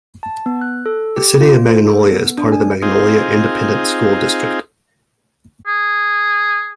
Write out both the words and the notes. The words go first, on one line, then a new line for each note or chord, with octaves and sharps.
The city of Magnolia is part of the Magnolia Independent School District.
A5
B3
F#6
A4
G4
F4
C5
A4
B3
D4
G#5
C4 D#4 F4 G#4
G#4